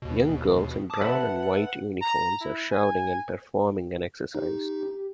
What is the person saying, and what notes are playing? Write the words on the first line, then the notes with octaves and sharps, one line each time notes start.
Young girls in brown and white uniforms are shouting and performing an exercise.
D#2 B2
A5 D6 D#6
B4 E5 F#5 A5
A#5
E4
G#5
D#4 G4